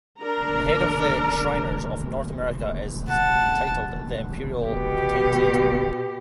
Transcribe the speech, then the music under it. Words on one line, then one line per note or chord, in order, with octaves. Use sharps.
The head of the Shriners of North America is titled the Imperial Potentate.
D4 A#4 A#5
F#5 A5
B2 G4